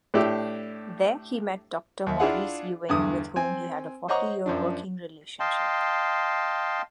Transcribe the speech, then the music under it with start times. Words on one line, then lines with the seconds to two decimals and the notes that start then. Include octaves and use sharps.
There he met Doctor Maurice Ewing with whom he had a forty-year working relationship.
0.14 A2 D4 E4 G4
2.07 D#2 E5
2.20 D4 E4 F4 G#4 F5 F#5
2.89 E2 G2 D3 D#6
3.36 C4 G#5
4.08 C5 C#5 D#5 F#5 A#5 C#6
4.46 F#2 F3 D4
5.40 D#5 F5 G5 A5 C6